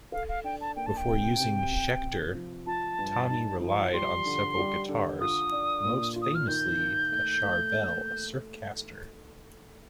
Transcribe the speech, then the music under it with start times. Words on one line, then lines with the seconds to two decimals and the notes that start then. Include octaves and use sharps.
Before using Schecter, Tommy relied on several guitars, most famously a Charvel Surfcaster.
0.12 A4 F5
0.29 F5
0.44 D4 G5
0.61 A5
0.76 A#3 G5
0.86 A5
0.97 G5
1.08 C3
1.40 C3
1.71 C3
2.03 C3
2.35 F3
2.67 F4 A5
2.99 G2
3.30 D#4
3.61 F3
3.94 G3 C6
4.26 D3
4.58 G3
4.89 D3
5.21 F4 D#6
5.52 D4
5.84 A#2
6.16 F4
6.22 D#6
6.35 F6
6.48 D#3 G6
6.80 D#3
7.12 A3
7.43 A3
7.75 A#3